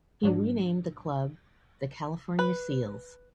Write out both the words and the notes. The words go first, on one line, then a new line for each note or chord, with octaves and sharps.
He renamed the club the California Seals.
G#2 F#3 D4
B4